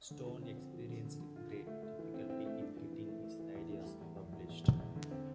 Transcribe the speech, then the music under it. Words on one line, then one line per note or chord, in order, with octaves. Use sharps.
Stone experienced great difficulty in getting his ideas published.
D3
F3
C4
C4
F3
D3
D3
D3
F4
F4
A3
A3
E3
C4
C4
A3
D4
E3
E3
A3
A3
E3
E2
A3
G3
E2
E2
E2
E2
E2
E2
D3
C4